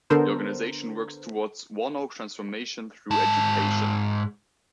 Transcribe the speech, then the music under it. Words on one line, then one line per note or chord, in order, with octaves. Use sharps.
The organisation works towards 'whanau transformation through education'.
D3 B3 D4 A4 A#4 C5
G#2 A5